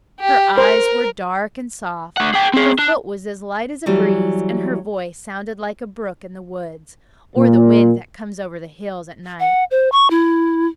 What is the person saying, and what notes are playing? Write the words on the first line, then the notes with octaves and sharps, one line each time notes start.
Her eyes were dark and soft, her foot was as light as a breeze, and her voice sounded like a brook in the woods, or the wind that comes over the hills at night.
G4
A#4 C5
A3 F#5
G#4 G5
C4 G#4
D4
E3 F#3 G3
A#2
F#5
C5
C#6
E4